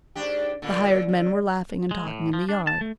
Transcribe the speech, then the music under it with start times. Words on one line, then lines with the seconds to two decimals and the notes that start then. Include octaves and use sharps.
The hired men were laughing and talking in the yard.
0.15 G#2 D4 G4
0.62 A#2 D3
1.08 D3
1.91 G#3
2.07 A2
2.33 F3
2.49 D4
2.67 A5
2.81 A3